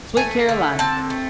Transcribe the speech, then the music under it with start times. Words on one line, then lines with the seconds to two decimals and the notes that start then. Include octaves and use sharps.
Sweet Carolina,
0.17 A3 G#5
0.49 D3
0.79 C4 A5
1.10 A3